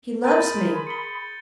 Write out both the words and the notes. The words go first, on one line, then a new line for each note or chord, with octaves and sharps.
He loves me!
G#4 A#4 B5 C6 G6 A6 D#7
C#7 G7